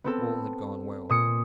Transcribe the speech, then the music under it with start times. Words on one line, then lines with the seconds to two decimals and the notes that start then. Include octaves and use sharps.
All had gone well.
0.04 B3 C4 A4
1.09 A#2 D#6 C#7